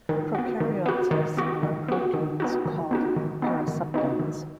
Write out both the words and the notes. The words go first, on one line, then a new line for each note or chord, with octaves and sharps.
Prokaryotes have similar proteins called paraseptins.
D#3
B3 F#4
D#3
B3 F#4
D#3
B3 F#4
D#3
B3 F#4
D#3
B3 D#4 F#4
D#3
B3 D#4 F#4
D#3
B3 D#4 F#4
D#3
B3 D#4 F#4
D#3